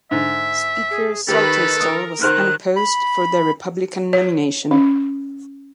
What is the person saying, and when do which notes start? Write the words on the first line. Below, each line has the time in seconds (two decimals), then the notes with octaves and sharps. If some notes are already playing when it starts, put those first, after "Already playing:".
Speaker Saltonstall was unopposed for the Republican nomination.
0.11 G#2 D3 E5
0.90 G#4
1.28 D#3 G4 A4 B4 B5
1.80 A#4 D#6
2.22 D#3 A#4 C5 F6 F#6
2.76 B5
4.13 C#5
4.71 C#4